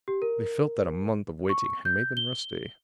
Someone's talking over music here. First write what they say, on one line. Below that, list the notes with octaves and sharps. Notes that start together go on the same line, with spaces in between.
They felt that a month of waiting had made them rusty.
G4
A#4
C#6
G6
G7